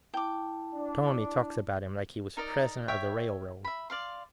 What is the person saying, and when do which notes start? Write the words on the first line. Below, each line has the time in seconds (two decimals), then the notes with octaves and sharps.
Tony talks about him like he was president of the railroad.
0.14 E4 G5 A5 D6
0.74 D4
2.37 D#4 A#4 D5 D#5
2.88 C#5 E5 G5
3.65 E5 B5
3.90 D5 F5 C6